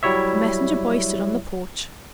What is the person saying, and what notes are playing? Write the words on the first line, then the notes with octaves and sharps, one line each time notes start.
A messenger boy stood on the porch.
F#3 G3 E4 C#5 E5